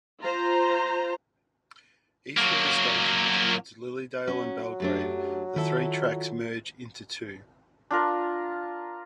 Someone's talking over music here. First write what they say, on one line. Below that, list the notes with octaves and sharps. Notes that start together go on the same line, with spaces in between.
East of the station, towards Lilydale and Belgrave, the three tracks merge into two.
F4 C5 A#5
F#3 A#3
F#3 C#4
F#2 A3 D4 G4
D#3 E4 F4 A4
D4 F4 A#4